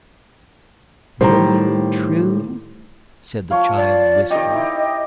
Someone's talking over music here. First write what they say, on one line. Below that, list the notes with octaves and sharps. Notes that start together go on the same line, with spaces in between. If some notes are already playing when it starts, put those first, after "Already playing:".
"Will you, true?" said the child, wistfully.
A2 D3 D#3 G3 C5 A#5
F3 C#5 F5
D5
D#3 G4 D#5
E4 G4